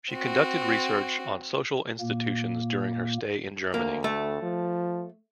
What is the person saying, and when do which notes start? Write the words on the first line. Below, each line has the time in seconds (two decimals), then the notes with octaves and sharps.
She conducted research on social institutions during her stay in Germany.
0.12 C4 F#4
2.00 A#2 A#3
3.74 D2 A#3
4.04 A3
4.42 F3